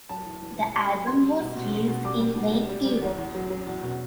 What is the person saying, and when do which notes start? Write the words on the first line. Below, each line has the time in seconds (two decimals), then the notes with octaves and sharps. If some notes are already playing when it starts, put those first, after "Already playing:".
The album was released in main Europe.
0.09 F#2 A5
0.25 E3
0.42 E3
0.58 E3
0.74 G3
0.91 F#2
1.07 G3 C6
1.24 G3
1.39 B2
1.56 B2
1.71 B2
1.88 B2
2.04 G3 D6
2.20 G3
2.37 B2
2.53 G3
2.69 G3
2.85 G3
3.01 E2
3.18 E2
3.35 F#3
3.50 F#3
3.67 E2
3.82 B2